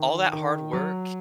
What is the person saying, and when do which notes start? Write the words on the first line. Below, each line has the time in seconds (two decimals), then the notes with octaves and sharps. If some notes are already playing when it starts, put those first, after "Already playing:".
all that hard work,
Already playing: D#3
0.33 D#3
0.73 F#3